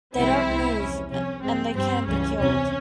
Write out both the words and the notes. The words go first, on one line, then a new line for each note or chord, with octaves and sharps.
They don't move, and they can be killed.
C2 C3 F3 G#3 C4 E4
C2 A#2 G#3
E2 C3 F3 G#3 C#4
C2 C3 F3 C#4
G#2 F3 G#3 C4
G2 G3 C4
C#2 C#3 E3 G3 C#4
E2 C3 E3 C#4